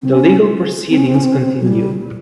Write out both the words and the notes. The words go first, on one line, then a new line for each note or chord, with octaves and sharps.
The legal proceedings continue.
C4
C#4
C4
C#4
C4
C#4
C4
C#4
C4
F#3
G3